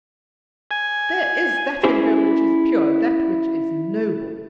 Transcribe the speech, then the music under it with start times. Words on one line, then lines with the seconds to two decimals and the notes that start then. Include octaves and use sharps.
There is that in her which is pure, that which is noble.
0.71 G#5
1.83 C#4 E4 F#4 G#4 C5 D5